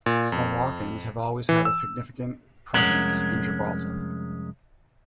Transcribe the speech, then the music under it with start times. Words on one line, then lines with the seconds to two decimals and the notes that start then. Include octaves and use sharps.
Moroccans have always had a significant presence in Gibraltar.
0.06 A#2
0.32 F2
1.49 E3
1.65 E6
2.73 C2 F2 G#3 C#4 A#4 F#5